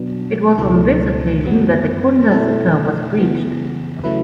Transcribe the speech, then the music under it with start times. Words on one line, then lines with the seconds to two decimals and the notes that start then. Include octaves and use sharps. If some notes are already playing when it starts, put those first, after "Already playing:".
It was on this occasion that the Cunda Sutta was preached.
Already playing: B2 F#3 B3 D4
0.58 C#2 B2 A3 E4 A4
1.45 F#2 D3 F#3 B3
2.30 B2 A3 E4 A4
3.17 C#3 E3 B3
4.04 C#3 F#3 A3 E4 B4